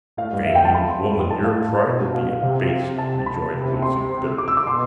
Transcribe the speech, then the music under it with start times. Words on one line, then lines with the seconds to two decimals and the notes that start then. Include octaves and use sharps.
"Vain woman, your pride will be abased," rejoined Wolsey bitterly.
0.17 A2 F5
0.32 G2
0.46 F2 E5
0.55 G5
0.65 A5
0.74 B5
0.88 C6
1.02 G2
1.17 F2
1.29 A2 A5
1.44 F5
1.87 B2
2.14 F5
2.42 C3 F5
2.98 A5
3.26 B5
3.54 C3
3.82 C6
4.38 D6
4.48 E6
4.57 D6
4.66 B2 C6